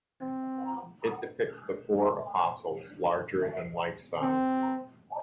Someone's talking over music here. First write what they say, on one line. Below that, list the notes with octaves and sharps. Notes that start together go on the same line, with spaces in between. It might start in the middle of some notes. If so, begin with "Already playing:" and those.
It depicts the four apostles larger-than-life-size.
C4
C4